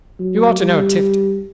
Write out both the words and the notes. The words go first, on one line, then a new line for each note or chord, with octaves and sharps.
You ought to know Tifto.
F#3
G3